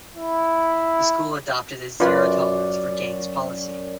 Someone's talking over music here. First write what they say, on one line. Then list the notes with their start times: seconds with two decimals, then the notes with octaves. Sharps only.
The school adopted a "zero tolerance for gangs" policy.
0.14 E4
2.00 F#2 F4 B4 D5